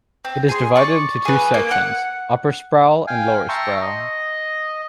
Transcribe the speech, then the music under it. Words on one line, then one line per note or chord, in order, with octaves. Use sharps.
It is divided into two sections: Upper Sproul and Lower Sproul.
C4
G#4 C6
D5 C#6
G#4 B4
A#3
F#5
F5 G5 G#5
E5 G5 A5 A#5 C6 C#6
D#5